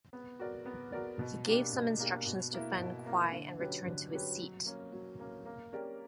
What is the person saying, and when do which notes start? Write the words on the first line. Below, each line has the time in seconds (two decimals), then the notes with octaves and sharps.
He gave some instructions to Fan Kuai and returned to his seat.
0.13 B3
0.40 F#4 A#4 D5
0.66 B3
0.92 F#4 A#4 D5
1.19 B2
1.46 A#3 D4 G4
1.73 B2
1.99 A#3 D4 G4
2.26 B2
2.53 A#3 E4
2.79 B2
3.06 A#3 E4
3.32 D3
3.59 F#3 C#4 G4 B4
3.86 D3
4.12 F#3 C#4 G4 B4
4.40 F#3
4.66 A#3 C#4
4.93 F#3
5.20 A#3 C#4
5.46 A#3
5.73 C#4 G4 A#4 D5